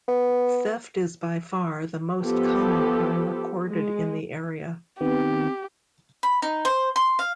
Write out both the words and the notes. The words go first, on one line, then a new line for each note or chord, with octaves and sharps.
Theft is by far the most common crime recorded in the area.
B3
F3 B3 G4 A4
G#3
D#3 B3 C4 G4
B5
D#4
C5
C6
F5